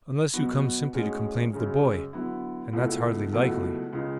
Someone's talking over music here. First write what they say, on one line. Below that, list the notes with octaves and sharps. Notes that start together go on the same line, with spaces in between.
Unless you come simply to complain of the boy, and that's hardly likely.
B2 F#3 B3 F#4
A2 G#3 C#4 F#4
F#2 C#3 G#3 C#4
D3 F#3 B3 E4
C#2 B2 A3 E4
C#2 B2 F#3 A3 E4
C#2 C#3 G#3